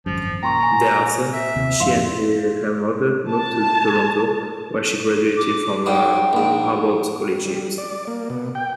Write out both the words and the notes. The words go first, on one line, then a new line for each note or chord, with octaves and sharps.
Thereafter, she and he mother moved to Toronto, where she graduated from Harbord Collegiate.
G#1 F#2 F3
A#2 G5 A#5 C6 C#6
G#5
E5
D#2 C3
F2 G#2 F3 F5 C6
A5
D6
G#2 G3 G5
A#1 G#2
G3
D5
A#3
B2
G5